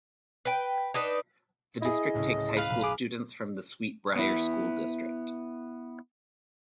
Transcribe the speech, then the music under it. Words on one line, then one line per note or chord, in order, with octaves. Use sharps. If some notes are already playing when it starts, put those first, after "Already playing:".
The district takes high school students from the Sweet Briar School District.
B4 G5
D4 D#4 B4
E4 G#4 D#5
D1 A2 C#3
B4 F5
B1
G#4 D6
B3 E4